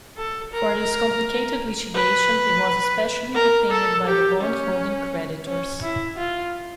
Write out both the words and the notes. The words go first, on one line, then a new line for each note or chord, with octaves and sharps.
For this complicated litigation he was specially retained by the bond-holding creditors.
A4
A#4
B4
A#4
A4
G4
C#4
C#4
E4
F4